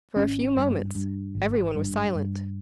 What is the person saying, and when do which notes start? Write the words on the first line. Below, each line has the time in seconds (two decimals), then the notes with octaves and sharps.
For a few moments every one was silent.
0.16 G#1 C#4
0.56 G2
0.95 G2
1.35 G#1
1.75 G2
2.15 G2